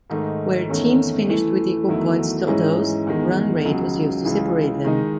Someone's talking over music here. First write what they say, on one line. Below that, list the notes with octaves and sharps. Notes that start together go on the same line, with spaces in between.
Where teams finished with equal points totals, run rate was used to separate them.
G#2 D#3 A3 D#4
E2 D#3 A3 C#4
E3 A3 E4
E2 D#3 F#3 A3 E4
G#2 E3 G#3 C#4 E4
E2 D#3 G#3
C#2 C#3 F#3
C#2 C#3 E3
D#3 G#3 D#4